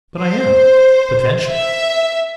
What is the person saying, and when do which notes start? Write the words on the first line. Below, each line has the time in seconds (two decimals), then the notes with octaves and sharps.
"But I am, potentially."
0.22 C5
1.49 E5